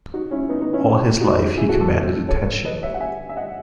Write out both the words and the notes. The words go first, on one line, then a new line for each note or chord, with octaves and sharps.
All his life he commanded attention.
D#4 F#4
C#4 E4
B3 D#4
B3 D#4
C#4 E4
D#4 F#4
E4 G#4
F#4 A4
F#4 A4
A4 C#5
B4 D#5
C#5 E5
F#5
E5 G#5
E5
D#5 F#5